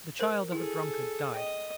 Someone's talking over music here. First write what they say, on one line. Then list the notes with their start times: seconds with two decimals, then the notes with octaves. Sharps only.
The child of a drunkard died.
0.19 A#4 C5
0.52 E4 G#4 A4
1.34 D#5 G5